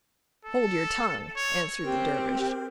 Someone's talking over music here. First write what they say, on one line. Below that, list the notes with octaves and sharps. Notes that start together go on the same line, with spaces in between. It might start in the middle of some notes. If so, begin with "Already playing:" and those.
"Hold your tongue," answered the Dervish.
A4
C#5
C4 G4 A#4